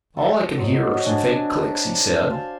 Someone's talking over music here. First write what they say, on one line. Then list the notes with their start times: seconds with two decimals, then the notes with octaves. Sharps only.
"All I can hear are some faint clicks," he said.
0.17 A4
0.57 F#3 C5 D#5
0.94 F#3
1.05 D4 G#5
2.30 C5 F5 G#5 A5